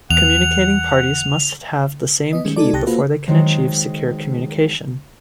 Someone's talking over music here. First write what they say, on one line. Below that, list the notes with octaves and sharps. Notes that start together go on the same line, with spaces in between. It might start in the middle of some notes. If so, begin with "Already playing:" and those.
Communicating parties must have the same key before they can achieve secure communication.
E2 F#5 F7
B3 D#5
D#3 G3 G#3 C#4
G#3 D#4 A4 D5
C2 C3 G4 A5 F#6 A#6
A#3 F4 F#4 A4 B4 C5
D#3 F#3 G#3 C5